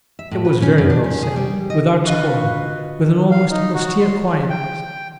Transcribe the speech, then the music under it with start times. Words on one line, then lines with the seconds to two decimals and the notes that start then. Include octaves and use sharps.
It was very well said, without scorn, with an almost austere quietness.
0.19 E5
0.31 A2
0.45 B4
0.62 C#4
0.78 F#2
0.90 D4
1.04 C#4
1.23 G#4
1.36 G3
1.70 D#5
2.04 D3 D#3 D4 F4 F#4 B4 D#5
3.31 F5
3.51 D#4
3.74 F#4
4.01 C6
4.50 G5